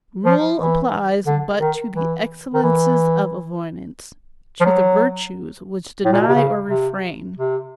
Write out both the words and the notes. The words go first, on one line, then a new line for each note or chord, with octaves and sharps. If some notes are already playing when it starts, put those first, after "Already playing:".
Rule applies but to the excellences of avoidance--to the virtues which deny or refrain.
F3
E3
D3
D#3
E3
D#3
E3
F3
F#3
A2
A#2
B2
C3
C#3
C3
C3